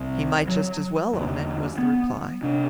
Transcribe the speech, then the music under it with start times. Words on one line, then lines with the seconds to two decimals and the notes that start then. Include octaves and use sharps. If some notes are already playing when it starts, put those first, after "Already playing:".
"He might just as well own it," was the reply.
Already playing: C2 C3
0.48 F#3
1.13 E2 D3
1.78 B3
2.43 C3 D4